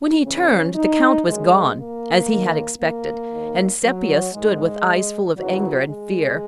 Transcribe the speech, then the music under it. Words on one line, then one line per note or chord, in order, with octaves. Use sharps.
When he turned, the Count was gone, as he had expected, and Sepia stood with eyes full of anger and fear.
E2 C#3 E3 C#4
D#4
F#2 D#3 G#3
A#3
D#2 D#3
A#3
D#2 D#3
F#3
G#2 D#3 G#3
D#2 C#3 E3 F#3
G#3